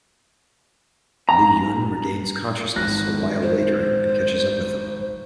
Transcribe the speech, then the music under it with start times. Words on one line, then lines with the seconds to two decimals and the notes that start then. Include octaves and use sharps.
Li Yun regains consciousness a while later and catches up with them.
1.29 A#5
2.76 G#1 F#6 A#6
3.42 C5